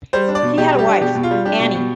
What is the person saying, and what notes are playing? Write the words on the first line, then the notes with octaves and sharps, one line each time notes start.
He had a wife, Annie.
G3 C5
D4
D5
B2
B2 G4
G3
G4
D4
B2 G4
B2
F4
G3
D4 G4
B2
B2